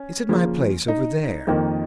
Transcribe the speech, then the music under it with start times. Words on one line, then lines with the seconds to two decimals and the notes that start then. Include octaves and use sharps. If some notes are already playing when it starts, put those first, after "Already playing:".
It's at my place over there.'
Already playing: C#4
0.29 C#3 F3 A#3
0.88 D#4
1.47 F2 D#3 A#3